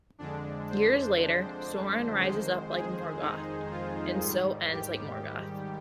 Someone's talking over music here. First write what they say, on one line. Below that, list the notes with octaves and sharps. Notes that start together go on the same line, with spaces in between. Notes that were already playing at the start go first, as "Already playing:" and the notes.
Years later, Sauron rises up like Morgoth, and so 'ends' like Morgoth.
F2 D3 G#3 D4
C5
F2 D#3 G#3 C5
G#4
D#4
F4
G#2 D#3 G3
G4